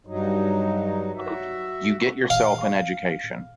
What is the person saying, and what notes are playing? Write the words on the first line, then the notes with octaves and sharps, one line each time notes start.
You get yourself an education.
G2 F#3 D#4
F#4 E5
F5